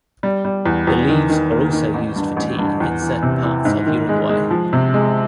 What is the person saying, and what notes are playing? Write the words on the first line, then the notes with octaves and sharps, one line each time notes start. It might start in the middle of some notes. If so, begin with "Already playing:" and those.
The leaves are also used for tea in certain parts of Uruguay.
G3
G3
E2
E2
D#3
D#3
A#3
D#3
A1
G2
A1
G2
E2
E3
C3
E3
G#2
D#3
G#3
G#3
F3
C3
G#3